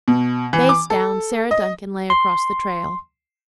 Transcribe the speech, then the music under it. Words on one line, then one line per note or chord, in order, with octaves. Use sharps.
Face down, Sarah Duncan lay across the trail.
B2
E3
D6
A4
D#5
C6